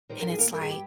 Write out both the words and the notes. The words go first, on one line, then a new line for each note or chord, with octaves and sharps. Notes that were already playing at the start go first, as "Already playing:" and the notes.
and it's like
D#3 G3 C5
A#4
G#4
A#3 A#4
G2 A#4
G#4
G4